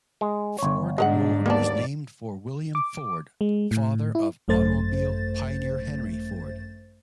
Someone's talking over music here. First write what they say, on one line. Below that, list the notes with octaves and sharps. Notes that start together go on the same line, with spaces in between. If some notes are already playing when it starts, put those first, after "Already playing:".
Ford Road was named for William Ford, father of automobile pioneer Henry Ford.
G#3
G1 C#5
G#2 G#3 D4 A#4 F#5
D#2 A#3 B3 D4 D5
D6
G#3
A2
E4
G#1 F#2 A3 C5 A6